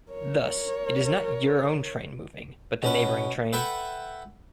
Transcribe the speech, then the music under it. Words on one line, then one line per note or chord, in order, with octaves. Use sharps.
Thus, it is not your own train moving, but the neighboring train.
A#4 C#5
B2 C#4 B4
A4 B4 E5 F#5 G5 B5